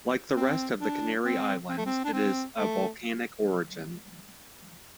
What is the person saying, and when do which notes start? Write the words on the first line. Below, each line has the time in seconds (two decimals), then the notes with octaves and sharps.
Like the rest of the Canary Islands, it is of volcanic origin.
0.36 C4
0.80 D4
1.25 C4
1.69 C4
1.77 A3
1.86 C4
2.04 D4
2.13 C4
2.57 A3